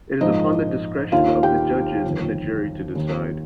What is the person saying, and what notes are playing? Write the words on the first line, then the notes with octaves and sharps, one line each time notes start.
It is upon the discretion of the judges and the jury to decide.
A#1 G#2 F3 D#4 D#5
D#2 D#3 F4 F5
G4 G5
G1 F2 D#3
D#2 D#3